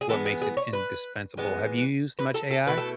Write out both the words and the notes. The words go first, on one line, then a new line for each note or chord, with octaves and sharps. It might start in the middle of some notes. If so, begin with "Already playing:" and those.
what makes it indispensable. Have you used much AI?
G#4
E3 G#3 B3 A4
G#4
G#4
C#5
B4
E3 G#3 B3
B4
A4
A4
B2 A3 E4 B4
A4